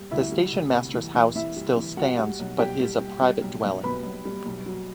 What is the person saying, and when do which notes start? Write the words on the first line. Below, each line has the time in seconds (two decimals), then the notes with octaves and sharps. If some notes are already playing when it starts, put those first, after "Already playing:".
The station master's house still stands but is a private dwelling.
Already playing: G3
0.11 D2 E4 E5
0.32 G3
0.53 D2
0.73 C3
0.94 E3
1.15 E3
1.35 E3 E4 E5
1.56 G3
1.77 E3
1.97 G3 F#4 F#5
2.19 G3
2.39 B1
2.59 B1 G4 G5
2.80 G3
3.01 G3
3.22 G3
3.42 B1
3.63 B1
3.83 B2 B4 B5
4.04 B1
4.25 G3
4.45 B1
4.66 F#3